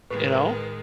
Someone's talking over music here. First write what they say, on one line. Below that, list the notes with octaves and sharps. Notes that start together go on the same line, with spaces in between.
you know?
A2 D#3 G#3 B4